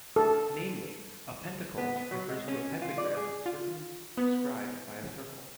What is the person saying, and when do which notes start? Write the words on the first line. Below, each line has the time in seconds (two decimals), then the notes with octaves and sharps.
Namely, a "pentacle" refers to a "pentagram" circumscribed by a circle.
0.16 A4
1.78 B3
1.96 B3
2.11 F#3
2.29 G#3
2.48 C#4
2.82 F4
2.98 D5
3.17 G#4
3.46 F4
4.17 B3